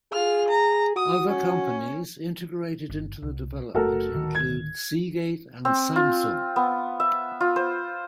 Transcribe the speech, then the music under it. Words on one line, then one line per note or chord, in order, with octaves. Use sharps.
Other companies integrated into the development include Seagate and Samsung.
F4 G#4 F6
A#5
F#4 D#6
C#4
G1
C2
F#1 A3 F#4 A4 A#4
D1 D2 D#3
G#6
C4
F4
B3
E5
F4
C5